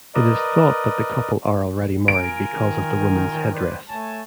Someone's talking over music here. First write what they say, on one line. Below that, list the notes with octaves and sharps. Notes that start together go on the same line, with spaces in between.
It is thought that the couple are already married because of the woman's headdress.
A#4 B4 D5 D#5
F4 A#4 G#5 D7
D#3
B4 C5 D5
A3 C#5 G#5 A5